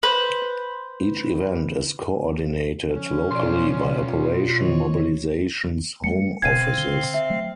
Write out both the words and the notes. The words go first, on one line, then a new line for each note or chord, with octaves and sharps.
Each event is coordinated locally by Operation Mobilisation's home offices.
B4 C5
F3 C#4
B1 F3 D5 C6
F4
C3 D#3 C#5
G3 A3 C#7
D#1 B2 C4 F5 G#6 D#7
D3 G7
E5
F#3 A3